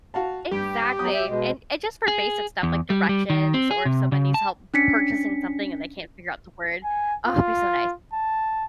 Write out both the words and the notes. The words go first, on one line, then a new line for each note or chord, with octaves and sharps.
Exactly. And and just for basic stuff, like directions or if someone needs help purchasing something and they can't figure out the word oh, it'd be so nice.
F#4 F5 A5
G2 G4
F#3 B3 D#6
E5
B2 G#3
G#4
E2
G3
G3
D#3
C4
G#4
C3
C#3
A5
C#4 D4 B6 C#7
G#5
F4
A5